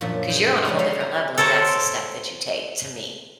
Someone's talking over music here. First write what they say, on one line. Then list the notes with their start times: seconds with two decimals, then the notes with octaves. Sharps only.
'cause you're on a whole different level if that's the step that you take, to me.
0.01 F#2 A#2 F3 D4 E5
0.30 G#4 C5
0.65 C#3 F3 G3 G#3
0.79 G3 G4 A4 C#5 F5
1.00 A#5
1.38 A4 A#4 C5 C#5 A#5